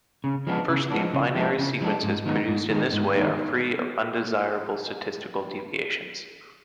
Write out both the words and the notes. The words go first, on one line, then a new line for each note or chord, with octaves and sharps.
Firstly, binary sequences produced in this way are free of undesirable statistical deviations.
C#3
F3 G#3 B3 D4
C#3
F3 G#3 B3 D4
C#3
F3 G#3 B3 D4
C#3
F3 G#3 B3 D4
G#2
D#3 G#3 B3 D#4
G#2
D#3 G#3 B3 D#4
G#2
D#3 G#3 B3 D#4